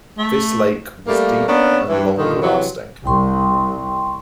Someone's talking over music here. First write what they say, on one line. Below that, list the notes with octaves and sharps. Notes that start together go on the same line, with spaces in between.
This lake was deep and long lasting.
A3
G3 A3 A#3
A#3 B3 C#4 D4
G2 E3
A#2 D3 D#3
C3 E3 F#3
C2 G5 C6 C#6